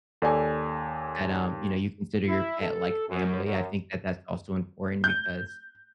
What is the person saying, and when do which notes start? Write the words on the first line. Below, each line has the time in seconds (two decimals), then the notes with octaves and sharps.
that, um, you know, you consider your pet like family, I think that that's also important because,
0.22 D#2 A4 D5 G#5
2.27 E4
2.61 A4
3.08 F#2
3.44 F#2
5.04 G6